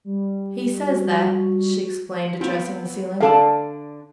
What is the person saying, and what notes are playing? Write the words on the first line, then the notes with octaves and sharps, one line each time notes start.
"He says that!" she exclaimed, addressing the ceiling.
G3
F#4
B3 C4 F4
D3 D4 A4 F5 A5